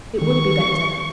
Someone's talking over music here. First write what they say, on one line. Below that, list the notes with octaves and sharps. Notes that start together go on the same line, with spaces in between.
It would be better.
D#3 C#6